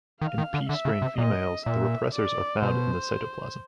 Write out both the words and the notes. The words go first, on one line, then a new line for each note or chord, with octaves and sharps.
In P strain females, the repressors are found in the cytoplasm.
D#3 F5
D#3
D3
D3 E5
C#3
C3
A#2 D#5
A#2 E5
D5
B2 C5